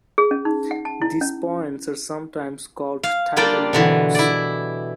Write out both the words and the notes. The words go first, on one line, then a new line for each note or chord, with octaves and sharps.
These points are sometimes called tidal nodes.
G#4
C#4
D#4
F#5
A5
E4
C#4
F5
G3 A#3 D4 F4 D5 G5
B2 D3 E3
E4 D5